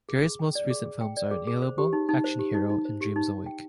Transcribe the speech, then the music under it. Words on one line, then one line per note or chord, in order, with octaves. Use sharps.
Gary's most recent films are "InAlienable", "Action Hero" and "Dreams Awake".
G#4
G#4
G5
D5
G#4
G#4
G5
D5
G#4
G#4
C5
G4
D#4
D#4
C5
G4
D#4
D#4
C5
G4
D#4
D#4
G5